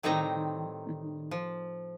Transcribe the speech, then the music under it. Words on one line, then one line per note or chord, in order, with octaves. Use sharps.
Mhm. Mhm.
A2 D#3 G3 C4 D#4 A#5
F3